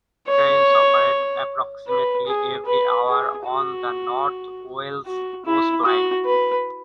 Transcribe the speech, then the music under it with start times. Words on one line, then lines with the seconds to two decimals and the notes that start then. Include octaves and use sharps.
Trains operate approximately every hour on the North Wales Coast Line.
0.28 C#5
1.87 B4
2.27 G#4
2.66 B4
3.07 G#4
3.46 F#4
5.06 F#4
5.46 E4
5.85 F#4
6.26 B4